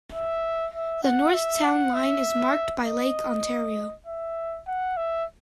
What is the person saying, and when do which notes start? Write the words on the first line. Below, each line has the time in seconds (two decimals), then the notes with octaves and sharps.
The north town line is marked by Lake Ontario.
0.13 E5
0.74 E5
1.03 F#5
1.34 E5
1.64 F#5
1.94 E5
2.85 D#5
4.06 E5
4.67 F#5
4.97 E5